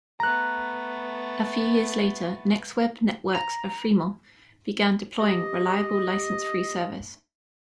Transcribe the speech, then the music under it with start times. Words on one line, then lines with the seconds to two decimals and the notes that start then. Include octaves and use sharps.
A few years later NextWeb Networks of Fremont began deploying reliable license free service.
0.20 A3 B3 A#5 F#6
3.35 A#5
5.19 G4 D#5